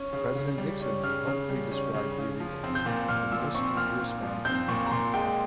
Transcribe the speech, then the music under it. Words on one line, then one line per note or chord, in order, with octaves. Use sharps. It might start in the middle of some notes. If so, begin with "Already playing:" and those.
President Nixon helpfully described Leary as "the most dangerous man in America".
Already playing: C#4
C#3
C#3
G3
C#4
C#3 F6
C#3
G3
C#4
C#3
C#3
F3
C4
G6
A#2
A#2 F6
F3 E6
C4 C#6
A#2 F6
A#2
F3
C4 G6
A#2 C#6
A#5
A#2 C6
G#3 G5